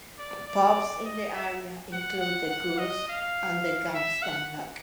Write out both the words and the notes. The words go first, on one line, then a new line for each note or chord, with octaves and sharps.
Pubs in the area include 'The Goose' and 'The Gamston Lock'.
D5
D5
D#5
E5
F#5
F#5
F#5
D#5
F5
E5
F#5